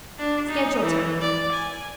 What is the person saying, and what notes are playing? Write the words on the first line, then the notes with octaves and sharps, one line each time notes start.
Schedule time.
D4
D#4
E3
D5
G#5